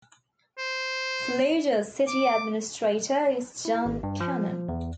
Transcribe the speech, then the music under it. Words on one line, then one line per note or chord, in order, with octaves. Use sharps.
Saluda's City Administrator is Jon Cannon.
C5
D6
E4
G#1
G2
F3
E2